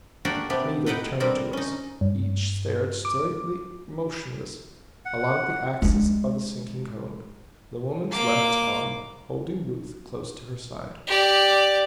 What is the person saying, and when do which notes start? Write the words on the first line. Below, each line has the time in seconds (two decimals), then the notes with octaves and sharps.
But neither turned to us; each stared straightly, motionless along the axis of the sinking cone, the woman's left arm holding Ruth close to her side.
0.25 A#3 D4 F#4 G4 A4 A#4
0.50 C3 B3 D4 G4
0.86 B3 D#4 B4 F#5 G5
1.20 B2 D3 G3 C4 A#4
1.53 C#4 D#4
2.01 G2
3.05 D6
5.05 F#5
5.82 G#3 D4
8.11 A#3 D6
11.07 G4 D5